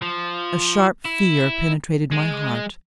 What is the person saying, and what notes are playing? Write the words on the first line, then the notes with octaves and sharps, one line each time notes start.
A sharp fear penetrated my heart.
F3
E4
G#3